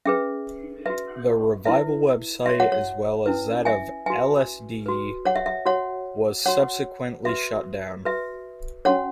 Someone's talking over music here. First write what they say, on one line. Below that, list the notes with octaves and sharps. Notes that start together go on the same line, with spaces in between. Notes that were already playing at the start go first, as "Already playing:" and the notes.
The revival web site, as well as that of "Ellesdee", was subsequently shut down.
C#4 G#4 B4 E5
F#4 B4 E5
E4 B4 E5
F#4 C#5 E5
C#5 F#5
C#5
C#4 E4 B4
E5 G#5
F#4 B4 E5 G#5
F#4 B4
C#5 F#5
E5
E5
F#4 C#5 F#5
F#4 C#5 F#5
F#4 B4 E5
F#4 B4 E5
C#4 F#4 C#5 F#5